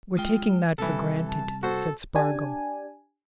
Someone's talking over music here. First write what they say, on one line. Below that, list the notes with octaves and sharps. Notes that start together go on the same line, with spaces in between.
"We're taking that for granted," said Spargo.
G#3 F4 G5
C3 E3 G3 A4
A5
F#4 A4 C5
D4 G4 G#5